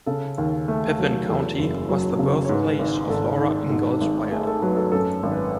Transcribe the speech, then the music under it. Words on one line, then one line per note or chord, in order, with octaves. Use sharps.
Pepin County was the birthplace of Laura Ingalls Wilder.
C#3 A4
D#2
A3
F#3
E2 A4
F#1
F#3
C#3
C#5
G#2 B4
G#1
G#1 A4
D#3
G#2
G#1
A3 G#4
A4
F#3 B4
A4
F#2 A4
G#1
B4